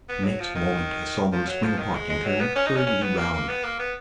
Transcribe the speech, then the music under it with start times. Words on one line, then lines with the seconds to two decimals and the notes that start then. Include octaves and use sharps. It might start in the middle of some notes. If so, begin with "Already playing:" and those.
Next moment I saw them spring apart and turn hurriedly round.
0.09 B3
0.24 F#3
0.40 F3
0.55 D#3
1.32 F3
1.48 F#3
1.63 F3
1.79 D#3
1.94 G#3
2.09 G#3
2.25 F#3
2.40 B3
2.56 C#4
2.67 D#4
2.76 C#4
2.87 C#4
3.02 B3
3.18 A#3
3.33 A#3
3.48 B3
3.64 A#3
3.79 B3